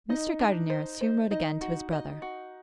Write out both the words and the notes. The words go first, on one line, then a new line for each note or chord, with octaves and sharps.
Mr. Gardiner soon wrote again to his brother.
D#4 D#5
D4
C5
C5
D#4 D#5
F#4
D#5
F#4